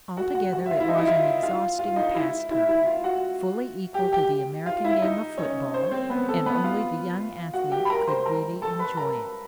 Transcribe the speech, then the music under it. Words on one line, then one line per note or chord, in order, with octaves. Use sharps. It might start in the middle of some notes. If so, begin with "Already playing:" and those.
Altogether it was an exhausting pastime--fully equal to the American game of football, and only the young athlete could really enjoy it.
F#4 F#5
F#4 F#5
F#4 F#5
E5
F4 F5
E4 E5
D#4 D#5
E4 E5
F4 F5
F4 F5
F4 F5
D#4 D#5
E4 E5
E4 E5
E4 E5
F4 F5
F#4 F#5
G4 G5
G4 G5
F4 F5
E4 E5
D#4 D#5
C#4 C#5
C5
C#5
C4 C5
B3 B4
A4
B3 B4
F4 F5
F#4 F#5
G4 G5
B5
A#4 A#5
C5 C6
A#4 A#5
A4 A5
B4 B5
A#4 A#5